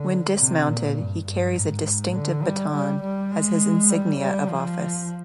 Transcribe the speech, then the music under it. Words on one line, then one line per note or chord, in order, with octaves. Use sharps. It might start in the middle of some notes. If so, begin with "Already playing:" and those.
When dismounted he carries a distinctive baton as his insignia of office.
Already playing: D3
C3
A#2
G2
G2
G#2
D3
G3
G3
G3
G#3
G3
G3
F3